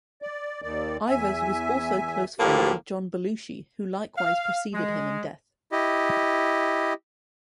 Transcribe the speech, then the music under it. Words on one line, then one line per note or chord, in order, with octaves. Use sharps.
Ivers was also close friends with John Belushi who likewise preceded him in death.
D5
D#2 D#3 D5
E2 E5 G#5
D2 A2 F3 A#3 G4
F5
G#3
E4 G4 D#5